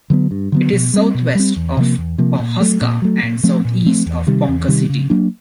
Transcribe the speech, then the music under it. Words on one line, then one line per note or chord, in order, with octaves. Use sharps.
It is southwest of Pawhuska and southeast of Ponca City.
D3 F#3 B3
G2
D3 F#3 B3
B2
G3 C4
B2
G3 C4
E2
C3 F3 A#3
E2
C3 F3 A#3
A#2
F#3 A3
A#2
F#3 A3
A#2
F3 A3 C4
A#2
F3 A3 C4
E2
C3 D#3 G3
E2
C3 D#3 G3
C#3
F#3 A#3 D4